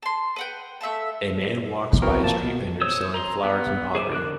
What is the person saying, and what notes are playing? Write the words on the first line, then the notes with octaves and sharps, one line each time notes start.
A man walks by a street vendor selling flowers and pottery.
A5 C6
B4 F#5 G5
A3 E5 F5 A5
B3 C4 E4 F#4 A#4
F3 A#3 A5
B2
C5 C#5 D#6 E6
A#5 C6
B3
G#4 C5 E5 D6
D3 A#4 D6 F#6